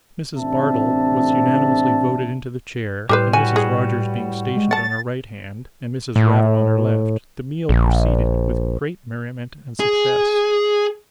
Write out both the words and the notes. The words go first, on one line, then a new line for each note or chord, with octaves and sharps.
Mrs. Bardell was unanimously voted into the chair, and Mrs. Rogers being stationed on her right hand, and Mrs. Raddle on her left, the meal proceeded with great merriment and success.
A1 C3 C4 D4 E5 A5
A2 G3 G4 G#4 B4 C5
G3 F#4 B4 G#5
G#4
G#3
F#5 A5 A6
A2
A#1
G#4